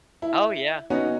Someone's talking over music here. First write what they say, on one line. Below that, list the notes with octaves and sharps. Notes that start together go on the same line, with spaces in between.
Oh, yeah.
E4
B3 C#4 D#4 F#4